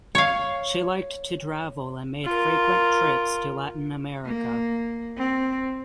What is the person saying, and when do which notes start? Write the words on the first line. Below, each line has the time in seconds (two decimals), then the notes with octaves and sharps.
She liked to travel and made frequent trips to Latin America.
0.15 C#5 F5
2.25 F4 A#4
4.25 A#3
5.17 C4